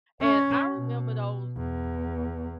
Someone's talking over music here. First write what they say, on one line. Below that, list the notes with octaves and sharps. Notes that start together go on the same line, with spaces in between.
and I remember those
C#4
B2
E2